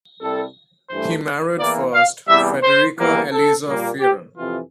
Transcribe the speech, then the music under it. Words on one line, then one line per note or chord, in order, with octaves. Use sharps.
He married first Frederica Eliza Fearon.
C2 C3 G3 A4
G2 E3 A3 C5
E2 E3 A#3 D5
F5
E2 C3 E3 G3 E5
C5
E2 E3 G3 A#3
A4
A#2 G3 A#3
G4
F2 C3 E3 F4